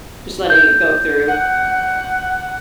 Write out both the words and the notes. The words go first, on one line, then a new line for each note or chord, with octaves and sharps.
just letting it go through.
G6
F#5